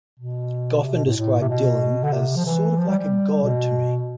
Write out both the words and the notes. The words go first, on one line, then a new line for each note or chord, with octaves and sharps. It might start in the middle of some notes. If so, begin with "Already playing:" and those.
Goffin described Dylan as "sort of like a god to me".
B2
C3
B2
A2
A2
C3
B2
D3
C3
F3
E3
F3
G3
G3
B2